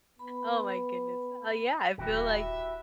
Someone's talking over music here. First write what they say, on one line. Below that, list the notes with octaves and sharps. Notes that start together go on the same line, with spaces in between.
Oh my goodness. Uh, yeah, I feel, like
B3 B5
D#1 E4 F#4 G4
E5